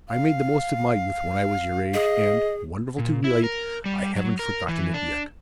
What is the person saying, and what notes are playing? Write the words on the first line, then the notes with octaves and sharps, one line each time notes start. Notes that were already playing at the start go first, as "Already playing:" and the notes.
I made the most of my youth when I was your age; and, wonderful to relate, I haven't forgotten it yet!
F5
G#4 D#5
A#2
E4
A#4
G3
F#3
A#4
E3
D4